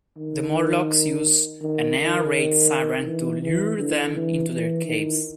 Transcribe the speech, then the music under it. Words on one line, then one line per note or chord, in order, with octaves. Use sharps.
The Morlocks use an air raid siren to lure them into their caves.
D#3
D#3
D#3
E3
E3
D3
E3
E3
D#3